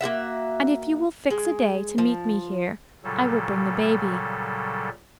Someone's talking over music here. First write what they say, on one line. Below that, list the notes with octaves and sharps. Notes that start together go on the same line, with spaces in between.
And if you will fix a day to meet me here I will bring the baby.'
A#3 F4 F#4 E5
G#3
F3
A#2 C#3 F#3 G3 A4